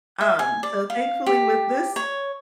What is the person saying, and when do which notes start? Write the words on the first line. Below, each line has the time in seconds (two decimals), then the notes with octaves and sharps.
Um, so thankfully, with this,
0.21 E5
0.39 G#5
0.63 D5
0.90 F5
1.26 G4
1.96 C#5